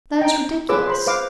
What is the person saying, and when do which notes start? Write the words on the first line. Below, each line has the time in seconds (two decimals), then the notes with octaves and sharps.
That is ridiculous.
0.21 G5 A#5
0.69 F4 G#4 B4 C#5 D6 E6
0.87 C5 B5 C6
1.06 B4 C5 F5 D6